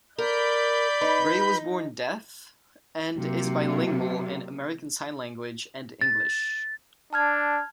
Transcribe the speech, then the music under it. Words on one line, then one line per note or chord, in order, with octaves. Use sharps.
Bray was born deaf and is bilingual in American Sign Language and English.
A#4 D5 B5 G6
D#4 B4
C3 F#3 A#3
A6
D4 A5 F6 G#6